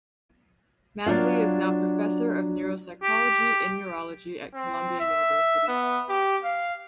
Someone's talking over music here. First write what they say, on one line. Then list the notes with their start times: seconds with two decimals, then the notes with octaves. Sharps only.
Manly is now Professor of Neuropsychology in Neurology at Columbia University.
1.06 F#3 D4 F4 F5
3.03 G4
4.54 C4
5.00 E5
5.68 B3
6.09 G4
6.44 F5